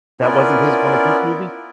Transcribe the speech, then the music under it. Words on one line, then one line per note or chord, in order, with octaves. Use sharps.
That wasn't his one of his movies?
B3 C#4 E4 F4 A#4 D5